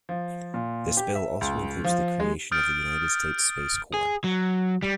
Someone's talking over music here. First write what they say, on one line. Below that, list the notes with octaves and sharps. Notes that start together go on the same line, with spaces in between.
This bill also includes the creation of the United States Space Corps.
F3
A#2
G4
E5
C#2
F3
G#3
D#6 F6 G6 A6 D7
G#4
F#3
G3